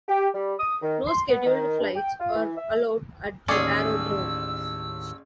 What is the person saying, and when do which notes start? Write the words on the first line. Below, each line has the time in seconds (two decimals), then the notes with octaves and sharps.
No scheduled flights are allowed at the aerodrome.
0.08 G4
0.34 G3
0.59 D#6
0.82 D#3
1.08 C6
1.29 B3
1.45 D#3
1.80 G2
1.96 G5
2.19 F4
2.35 E3
2.57 E5
3.48 A1 D#2 A2 C#4 G#4 D5 D6 E6